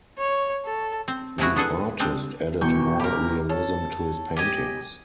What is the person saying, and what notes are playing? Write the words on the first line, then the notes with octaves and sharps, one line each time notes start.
The artist added more realism to his paintings.
C#5
A4
C4
C3 F3 G#3 E4 F#4
B3 D4 G#4 A4 F#5 G#5
G3 G#3 C4 D4
E2 B2 G5 C#6
G4 A#4
A4 C#5
G4 D#5 G#5